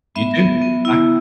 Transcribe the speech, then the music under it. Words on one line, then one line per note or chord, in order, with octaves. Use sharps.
you too, bye.
B3 E5
B3
B3
E4